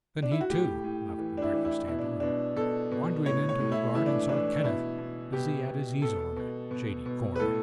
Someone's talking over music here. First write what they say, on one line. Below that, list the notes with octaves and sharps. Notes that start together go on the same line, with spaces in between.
Then he, too, left the breakfast table, and wandering into the garden saw Kenneth busy at his easel in a shady corner.
D4
E4
F#4
A2 G4
A2
E3
D4
E4
E3
E4
B2 E4
D4
B2 D4
B2 A4
B2
A2 C#5
C#5
A2
E4
E3 E4
D4
E3 D4
D4
B2 E4
B2
B2 G4
B2
B2 A4
B2
B2
B2
B4
A2 A4